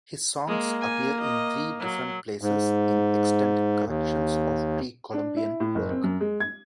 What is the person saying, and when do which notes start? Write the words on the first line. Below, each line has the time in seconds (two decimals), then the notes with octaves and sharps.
His songs appear in three different places in extant collections of Pre-Columbian work.
0.48 G#3 A#3
0.81 G#5
1.22 D#5
1.80 F#3
2.42 G#2
3.87 D#2
5.14 D4
5.36 E4
5.60 A2
5.75 F#1
5.90 C4
6.04 F#2
6.21 G#3
6.40 G#6